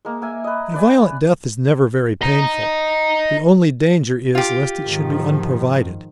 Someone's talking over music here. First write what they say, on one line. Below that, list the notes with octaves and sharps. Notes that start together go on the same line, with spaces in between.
A violent death is never very painful; the only danger is lest it should be unprovided.
G#3 A#3
A#3 E5 G#5
B4 D#5
B4 D5 G#5
D#5 A#5
F4 G4
G#2 D#3 F3